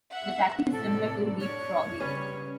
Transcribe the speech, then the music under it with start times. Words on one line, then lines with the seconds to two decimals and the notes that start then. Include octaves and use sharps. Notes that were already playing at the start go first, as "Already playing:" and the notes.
The tactic is similar to leapfrogging.
0.11 E5 F#5
0.72 A2 C3 A4 D5
1.40 D4 C#5
2.00 C#3 G3 C#4 B4